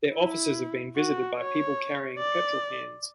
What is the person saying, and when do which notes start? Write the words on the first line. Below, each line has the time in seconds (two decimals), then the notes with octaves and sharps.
Their offices have been visited by people carrying petrol cans.
0.14 E4
0.96 F#4
1.38 C#5
2.19 D5